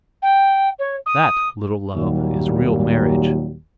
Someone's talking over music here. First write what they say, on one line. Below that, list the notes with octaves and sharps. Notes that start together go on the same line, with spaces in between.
That, little Love, is real marriage.
G5
C#5
D#6
D#2 A#2 F#3 G3